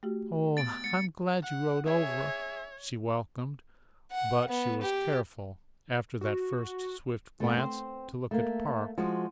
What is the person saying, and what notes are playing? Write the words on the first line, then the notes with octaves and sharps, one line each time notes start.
"Oh, I'm glad you rode over," she welcomed--but she was careful, after that first swift glance, to look at Park.
A3 F#4 G4
B3 A6 D7
G#3 A6 C#7
F#5
G#4 C#5 E5
F#5
B3
G4
F#4
A3 B3
C4 C5
A3 A#3
F3 G#3 F#4